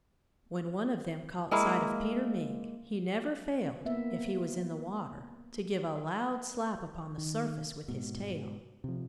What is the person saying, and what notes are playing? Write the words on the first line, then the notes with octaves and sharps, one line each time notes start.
When one of them caught sight of Peter Mink he never failed--if he was in the water--to give a loud slap upon the surface with his tail.
G#3 A#3 E4 F5
A#3 B3 E5
D#3
G#2 B2
C3 F3